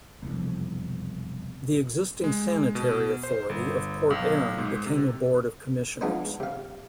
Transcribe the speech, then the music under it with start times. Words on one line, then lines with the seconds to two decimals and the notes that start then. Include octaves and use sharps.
The existing sanitary authority of Port Erin became a board of Commissioners.
0.22 E1 C2 F2
2.24 G#3
2.75 B2
3.23 C5
3.49 G1
4.10 B1
4.58 G#2
4.86 C3
6.01 F3 G#3 B3 D4 D#4 C5
6.40 C3 F5